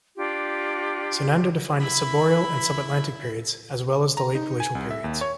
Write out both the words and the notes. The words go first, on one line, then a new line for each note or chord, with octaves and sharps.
Sernander defined subboreal and subatlantic periods, as well as the late glacial periods.
D4 F4 G4
E4 B5
A#5
D#4
G#5
C2
E5
D#2
C#5